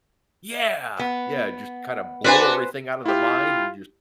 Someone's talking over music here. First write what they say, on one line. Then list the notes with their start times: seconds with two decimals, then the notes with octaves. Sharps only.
Yeah. Yeah, just, kinda, blow everything out of the mind, and, just,
0.99 B3
2.24 B3 D4 F#4 B4 C5 G#5
3.06 E4 F4 G4